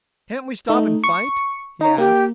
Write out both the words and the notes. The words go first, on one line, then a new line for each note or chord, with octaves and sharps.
"Can't we stop and fight?" he asked.
A3 D#4
C#6
D#4 C#5 A#5
A#3 G4